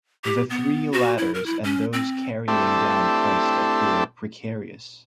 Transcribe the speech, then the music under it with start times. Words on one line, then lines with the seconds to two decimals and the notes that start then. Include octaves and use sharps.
The three ladders and those carrying down Christ appear precarious.
0.25 G4
0.50 B3
0.93 F#4
1.18 E4
1.34 A#4
1.46 E4
1.64 C#4
1.93 C4
2.48 A3 C4 D4 E4 G4 A4